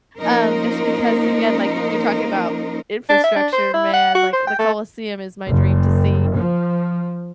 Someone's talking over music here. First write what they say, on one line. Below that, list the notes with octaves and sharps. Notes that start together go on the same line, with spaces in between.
Um, just because, again, like, you're talking about infrastructure, man. Like, the Colosseum is my dream to see.
F3 A#3 C#4 D#4 A#4 C5
D4
E5
D4
C5
E4
F#5
F#4
C5
G5
A3
F#1
F3